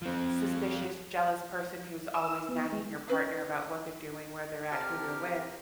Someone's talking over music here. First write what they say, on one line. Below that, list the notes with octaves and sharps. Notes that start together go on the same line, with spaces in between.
suspicious, jealous person who's always nagging your partner about what they're doing, where they're at, who they're with,
F3 C4
E6
B3
G#3
C#4 B4 F5
C3 G4 A4 A#4 A5 F6